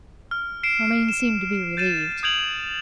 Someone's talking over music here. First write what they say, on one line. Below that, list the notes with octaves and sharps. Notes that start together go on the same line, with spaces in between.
Romayne seemed to be relieved.
F6
C7 D7 E7
E7
G6 A6 D#7 E7
D#6 G6 G#6 D7 F7 F#7
G#6